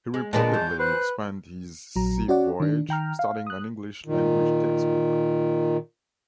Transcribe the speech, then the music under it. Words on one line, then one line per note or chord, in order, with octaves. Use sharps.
He reportedly spent his sea voyage studying an English language textbook.
G#3
A#2 G#3 B3 D4 A5
E2 E3 G6
B4 C5 F#6
A#1 F#3 A#5
C#4 F#4 C#5 D5 F#5
D#3 D4
D#3 G5 A#5 F6
F5
D#6 F#6
A#2 D#3